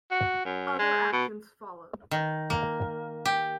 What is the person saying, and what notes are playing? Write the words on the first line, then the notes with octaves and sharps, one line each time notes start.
Other actions followed.
F#4
F#2
G#3
B2
D#3
A#3
G4